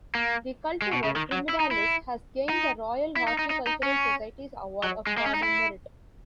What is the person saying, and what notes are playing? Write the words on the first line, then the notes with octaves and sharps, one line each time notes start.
The cultivar 'Pyramidalis' has gained the Royal Horticultural Society's Award of Garden Merit.
A#3
G#3
B2
C#3
D#3
F#3
E4
D#4
E4
D#4
E4
D#4
D#4
D#4
D#4
C#4
F#3
G#3
A#3
C#4
D#4
E4